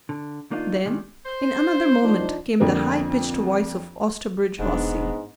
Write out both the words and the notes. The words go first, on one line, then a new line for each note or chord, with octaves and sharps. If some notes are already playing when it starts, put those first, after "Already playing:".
Then, in another moment, came the high-pitched voice of Osterbridge Hawsey.
D3
D#3 A#3 D4 D#4 F4
D#3 G3 G#3
C5
F3 D4 D#4
F2 D3 G3 A#3
E1 G#2 B3 D4